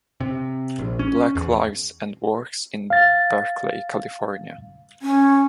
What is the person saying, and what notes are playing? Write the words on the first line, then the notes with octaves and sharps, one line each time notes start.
Black lives and works in Berkeley California.
C3
A#1
C#4
E2
F5 A6
C#4